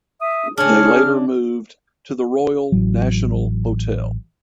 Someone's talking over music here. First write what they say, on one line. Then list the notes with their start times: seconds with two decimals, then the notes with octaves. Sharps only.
They later moved to the Royal National Hotel.
0.21 E5 D#6
0.58 C#3 D4 G#4 C#5 F6
2.72 A1 F#3